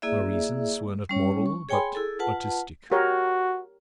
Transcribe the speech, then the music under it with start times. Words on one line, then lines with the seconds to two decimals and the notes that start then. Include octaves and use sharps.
My reasons were not moral but artistic.
0.02 A#3 E4 G#4 D5 E5
1.09 G3 C#4 C#5
1.46 C#6
1.69 G#4 C#5 G5 G#5 B5 C6
1.95 E4 G#4 A4
2.19 F4 B4 F#5 A5
2.92 F#4 G4 A#4 C#5